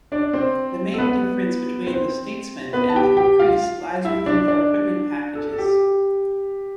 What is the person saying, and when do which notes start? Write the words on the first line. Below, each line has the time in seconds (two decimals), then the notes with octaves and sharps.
The main difference between the Statesman and the Caprice lies within their equipment packages.
0.12 D4 D5
0.33 C4 C5
0.94 A4
0.98 B3 B4
1.86 C4 C5
2.73 B3 B4
2.89 A5
2.95 G4 G5
3.17 G4 G5
3.39 F4 F5
4.05 E4 E5
4.26 D4 D5
4.48 D4 D5
5.35 A4
5.52 A4
5.58 G4